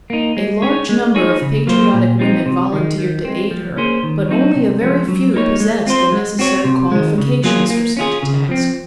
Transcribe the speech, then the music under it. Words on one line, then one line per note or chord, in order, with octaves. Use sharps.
A large number of patriotic women volunteered to aid her, but only a very few possessed the necessary qualifications for such a task.
A#3 D#4
G#3
C#4 G#4 C#5
G#3
D#4 G#4 C#5
C#3
F#3 A#3 F4 C5
A#2
F3 C4 D#4
C3
D#3 G#3
D#3
G#3 C4
F3
A#3 C#4 G#4 C5
D#3
F#3 C4 D#4 F#4
C3
F3 G#3 C#4
F#3
A#3 D#4 A#4 C#5
G#3
C4 F4 C5
G#3
C4 F#4 C#5
C3
D#3 G#3
C#3
F#3 A#3 F4 G#4
A#3
C#4 F4 G#4
C#3
F3 C4